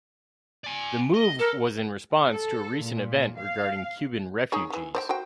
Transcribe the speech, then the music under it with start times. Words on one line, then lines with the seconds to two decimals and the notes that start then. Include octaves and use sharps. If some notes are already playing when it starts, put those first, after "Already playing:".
The move was in response to a recent event regarding Cuban refugees.
0.64 D5 G#5
1.14 D#5
1.39 A4 A#4
2.32 A4
2.84 A#2
3.38 F5
4.52 D#4 G#4 C#5
4.70 C#3 E3
4.95 C5 D5 G5
5.09 F#4 C5 G5